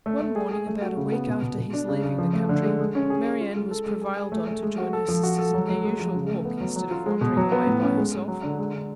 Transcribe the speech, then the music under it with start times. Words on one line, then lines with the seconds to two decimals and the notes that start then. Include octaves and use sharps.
One morning, about a week after his leaving the country, Marianne was prevailed on to join her sisters in their usual walk, instead of wandering away by herself.
0.06 A3
0.20 A3
0.36 G#4
0.51 G#4
0.67 A3
0.81 F#4
0.97 C#3
1.12 B3
1.27 B2
1.42 B2
1.58 B2
1.73 D4
1.88 C#3
2.03 C#3
2.18 F3
2.33 A3
2.49 D3
2.64 G#3
2.80 G#3
2.95 C#4
3.10 G#4
3.25 G#4
3.41 F4
3.56 G#3
3.71 A4
3.86 G#3
4.02 G#4
4.17 G#4
4.32 A3
4.47 A3
4.62 G#3
4.78 F#4
4.93 A4
5.08 F3
5.23 F#4
5.39 A4
5.54 F#3
5.69 F#3
5.84 G#3
5.99 F3
6.15 C#3
6.30 A3
6.45 B3
6.60 F#3
6.76 F#3
6.91 F4
7.06 G#3
7.21 B2
7.37 F#3
7.52 B3
7.67 A2
7.83 C#4
7.97 G#3
8.13 G#3
8.28 F#3
8.43 D3
8.58 G#3
8.74 D3